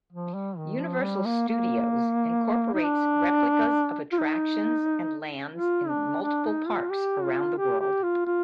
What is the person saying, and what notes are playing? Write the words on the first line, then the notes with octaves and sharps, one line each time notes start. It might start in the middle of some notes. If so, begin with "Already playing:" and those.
Universal Studios incorporates replicas of attractions and lands in multiple parks around the world.
F3
G3
D#3
F3
G3
A#3
A#3
D#4
D4
F4
D#4
F4
D4
D4
D#4
F4
G4
F4
G4
G4
F4
F4